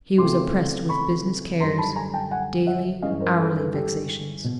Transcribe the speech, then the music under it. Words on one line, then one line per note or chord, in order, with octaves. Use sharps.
He was oppressed with business cares; daily, hourly vexations.
C#3 E3 A3 C4 C6 D6
B5 C#6
F#2 D3 G3 A#5 C6
A5 B5
G#5 A#5
G5 A5
F#5 G#5
E5 F#5
G2 E3 G#3 C#4 D#5 F5
A#4 C5
A4 B4
A4 B4
G4 A4
B2